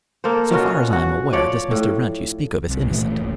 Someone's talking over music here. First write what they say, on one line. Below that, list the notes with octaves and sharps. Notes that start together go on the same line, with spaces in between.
So far as I am aware, this Mr. Wrent you speak of is innocent.
A#3 A4 C5
B2 C#4 F4 F#4
F#4
F3 C#5 D5
A2
C2
A#2 E3 F3 A3
D#1 A1 A2